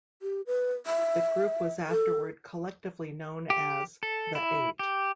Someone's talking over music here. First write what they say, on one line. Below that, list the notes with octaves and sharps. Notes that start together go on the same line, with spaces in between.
The group was afterward collectively known as The Eight.
G4
B4
E5
A4
G4
A4
E4
G4